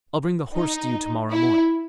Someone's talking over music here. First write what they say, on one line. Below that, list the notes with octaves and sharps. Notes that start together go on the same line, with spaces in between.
I'll bring the horse to you to- morrow morning.'
D#4
E4